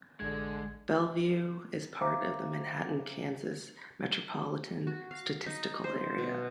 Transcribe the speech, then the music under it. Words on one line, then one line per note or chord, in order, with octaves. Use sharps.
Belvue is part of the Manhattan, Kansas Metropolitan Statistical Area.
A1 D3 G#3 G#6
C5 E5 F5 A#5 D6
F#4
F5
D#4
C5
B2